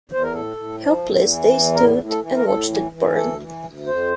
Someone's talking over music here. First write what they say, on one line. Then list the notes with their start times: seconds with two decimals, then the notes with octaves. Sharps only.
Helpless, they stood and watched it burn.
0.09 E2 C5
0.23 A#4
0.33 A2 A4
0.57 A2
0.80 F3
1.04 E2
1.27 E3
1.51 E2
1.74 A2 A#4
1.98 A2
2.10 A4
2.21 E3
2.36 A#4
2.45 A2 A4
2.68 E3
2.92 E3
3.16 D2 A4
3.39 E3
3.63 D2
3.86 F2 C5